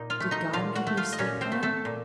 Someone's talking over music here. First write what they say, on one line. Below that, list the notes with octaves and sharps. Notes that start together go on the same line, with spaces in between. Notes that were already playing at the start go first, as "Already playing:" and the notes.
"Did God make me sleep, Helen?"
Already playing: A#2 D#4
F4 F5
A3
D#4 D#5
A#2 F4 F5
F#4 F#5
A3
F4 F5
D#5
A#2 C#4 C#5
C4 C5
A3
A3 A4
A#2